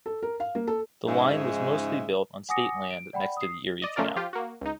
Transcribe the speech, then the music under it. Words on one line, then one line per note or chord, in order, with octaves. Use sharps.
The line was mostly built on state land next to the Erie Canal.
A4
A#4
F5
A#3
A4
G#2 C#3 F3 G#3 D#4 E5
F#5 G#5 D6 D#6 A#6 C#7
D7
D5 F#5 G5 B5
D#6 C7
D5 D#5
A3 C#4 F4 A#4 D5
F3 F4 G4
A#3 F#4
C#2 D#4